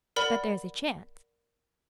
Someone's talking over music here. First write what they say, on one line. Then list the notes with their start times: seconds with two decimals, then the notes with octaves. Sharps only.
"But there's a chance?"
0.16 A#4 D5 F#5 B5